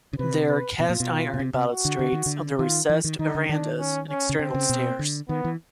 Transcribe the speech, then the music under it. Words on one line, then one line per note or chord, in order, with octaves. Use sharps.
There are cast iron balustrades on the recessed verandahs and external stairs.
C#3
C3 B4
B4
B2 F4
A#2
B2
B2
C3
C3
F#4
D3
D3
D#3
D3
D#3 F4
E3
D#3
D#3 D#4
D3
D#3 D4
C#4
C#4
C#3
D3 C4
C#3
B2
D3
D#3 B3
E3